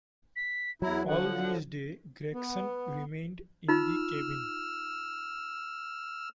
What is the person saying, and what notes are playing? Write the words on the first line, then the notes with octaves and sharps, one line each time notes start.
All this day Gregson remained in the cabin.
B6
E2 F#3 E4 A#5
D3 F3 F#5
B3
D#4 F4 E6 F6